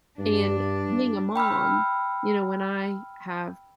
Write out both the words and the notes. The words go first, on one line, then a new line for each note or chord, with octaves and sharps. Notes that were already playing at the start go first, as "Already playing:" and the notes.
and being a mom, you know, when I have
G2 D4
G5 B5 E6 F6